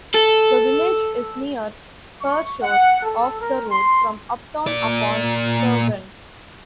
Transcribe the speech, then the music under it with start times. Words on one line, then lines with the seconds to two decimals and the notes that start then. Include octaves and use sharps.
The village is near Pershore, off the road from Upton-upon-Severn.
0.14 A4
2.22 C#6
2.62 F#5
3.03 A4
3.40 A#4
3.71 C6
4.67 A#2 D5